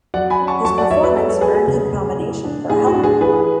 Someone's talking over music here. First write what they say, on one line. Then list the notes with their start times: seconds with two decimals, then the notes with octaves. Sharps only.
His performance earned him a nomination for a Helpmann Award.
0.14 F#3 D5 F#5
0.30 G#5 B5
0.40 C#4
0.47 A5 C#6
0.65 F#3 A5 C#6
0.78 D5 F#5
0.90 F#3 C#5 E5
1.04 B4 D5
1.16 B3 A4 C#5
1.29 A4 C#5
1.41 F#3 G#4 B4
1.55 G#4
1.67 C#3
1.93 C#3
2.19 A2
2.44 D4
2.70 A2 G#4
2.87 F#4
2.95 D4
3.03 G#4
3.20 E3 G#4 B4